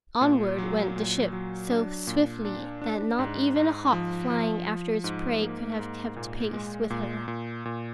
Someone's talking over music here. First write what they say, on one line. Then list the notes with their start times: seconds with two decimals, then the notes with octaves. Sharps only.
Onward went the ship, so swiftly that not even a hawk flying after its prey could have kept pace with her.
0.21 A#2
0.58 F#3
0.96 A#2
1.33 F#3
1.70 D4
2.07 A#2
2.45 D4
2.82 D4
3.19 G#2
3.56 G#2
3.93 F3
4.30 F3
4.67 F3
5.04 G#2
5.42 A#3
5.79 G#2
6.16 A#2
6.53 G#3
6.90 A#2
7.28 A#2
7.65 A#2